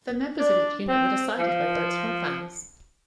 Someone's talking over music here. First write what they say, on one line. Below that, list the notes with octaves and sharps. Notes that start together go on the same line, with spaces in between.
The members of each unit were decided by votes from fans.
D4
C4
F3